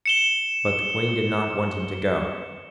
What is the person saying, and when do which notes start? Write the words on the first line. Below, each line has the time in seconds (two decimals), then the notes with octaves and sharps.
But the Queen did not want him to go.
0.06 C#7 E7 G7